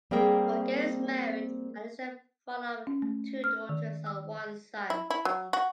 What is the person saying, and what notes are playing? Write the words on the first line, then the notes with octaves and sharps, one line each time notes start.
Vogel is married and is the father of two daughters and one son.
G3 A#3 C4 G#4 A#4 G5
C#4
A3
F6
D#3
E6
E4
E4
F#3
F#4